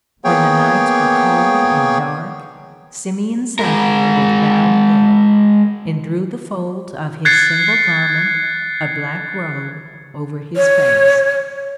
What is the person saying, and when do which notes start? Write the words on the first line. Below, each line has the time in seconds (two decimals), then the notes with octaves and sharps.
When the nights were cold and dark, Simeon sat there with bowed head, and drew the folds of his single garment, a black robe, over his face.
0.24 A#3 B3 G#4 C#5 G5
3.59 G#3 A#4
7.25 F#6 G#6 A6 C7 C#7
10.56 C#5